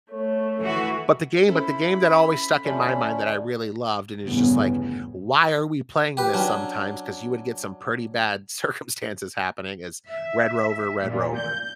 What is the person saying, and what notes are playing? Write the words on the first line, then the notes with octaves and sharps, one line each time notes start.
But the game but the game that always stuck in my mind that I really loved and it was just like, "Why are we playing this sometimes?" 'cause you would get some pretty bad circumstances happening is red rover, red rover.
A3 C#5
E3 F#4
C#4 E4 A4 C5 B5
D2 F3 A3 C#4 F4 D5 E5
G1 E2 A2 C#3 B3
G4 B4
F#3 C#4 D4
E5
A#2
G6